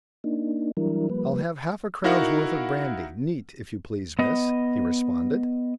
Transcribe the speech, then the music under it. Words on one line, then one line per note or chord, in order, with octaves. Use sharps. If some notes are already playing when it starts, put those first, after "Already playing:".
"I'll have half-a-crown's worth of brandy, neat, if you please, miss," he responded.
A#3 D4 D#4
E3 F#3 G3 D4 E4 A#4
F3 G3 A#3 B4
D#4 E4 F#4 A#4 F5 F#5
B3 D#5